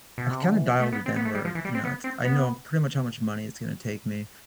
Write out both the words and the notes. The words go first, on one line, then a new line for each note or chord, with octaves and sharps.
I've kind of dialed it in where, you know, it's I know pretty much how much money it's going to take me,
B2
C3
D3
E3
F3
A3
B3
C4
B3
A3
G3
F3
E3
G3
C4
B3
C4
B3